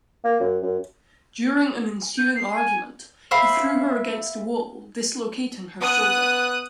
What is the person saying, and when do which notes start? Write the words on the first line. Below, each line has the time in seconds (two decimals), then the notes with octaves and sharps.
During an ensuing argument, he threw her against a wall, dislocating her shoulder.
0.24 A#3
0.40 F#2
0.63 F#2
2.18 G6
2.36 C7
2.56 G#5
3.31 C5 E5 F5 B5
5.82 B3 D#6 F#6